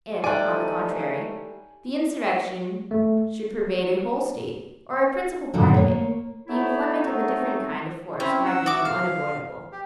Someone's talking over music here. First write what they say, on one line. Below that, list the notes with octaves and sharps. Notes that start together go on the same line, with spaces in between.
If, on the contrary, the insurrection should pervade a whole State, or a principal part of it, the employment of a different kind of force might become unavoidable.
E3 G3 A3 D#4 A4 D5 G#5 F#6
A3
G2 A#2 D3 D#3 F#3
A#3 C#5
F#3 A3 B3 D#4 E4
F#3 A3 B3 C4 D#4
C4 C#4 E4
F#5 E6
F#4 E5 D6
F5 F6
G4